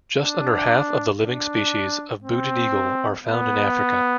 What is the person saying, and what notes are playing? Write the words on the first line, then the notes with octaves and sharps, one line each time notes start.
Just under half of the living species of booted eagle are found in Africa.
D4
D4
C4
B3